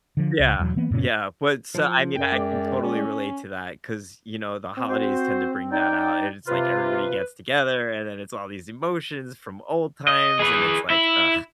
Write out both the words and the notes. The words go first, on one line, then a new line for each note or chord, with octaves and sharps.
Yeah. Oh, yeah, but s I mean, I can totally relate to that, 'cause, you know, the holidays tend to bring that out, and it's like everybody gets together, and then it's all these emotions from old times, and it's like, "Ugh,"
D3 F3
C#2
E1 E2 F#3
E3 A#3 B3
F#2 A#2 C#3 C#4
F3
F#2 G5
G#3 D5
C#4
C4
F#4 C5
D#4 D5 G5
C3 F4 B4
D#5
G#4 B4
E4